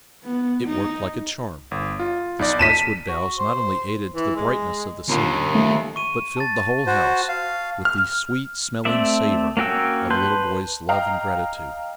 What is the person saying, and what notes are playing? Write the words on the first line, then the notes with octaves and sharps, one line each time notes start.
It worked like a charm; the spicewood boughs not only added to the brightness of the scene but filled the whole house with the "sweet smelling savour" of a little boy's love and gratitude.
B3
D#4
G1
F4
B1 D#4 D5
A5 B6 D#7 E7
F#4
C5
E3
G#3
D#2 A#2 D3 A#3 C#4 D#4
D#3 F3 A3
C#6 D#7
A5 A6
F#4 C5
F5
F6
A3 C4 D5 E5
A#3 C#4 F#4 G5 E6
B4 A5 C6 G6
D#5 F5 G5 A#5